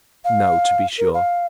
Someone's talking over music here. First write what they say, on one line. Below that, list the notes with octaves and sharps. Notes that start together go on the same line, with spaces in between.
No, to be sure!
F5
A#4
F5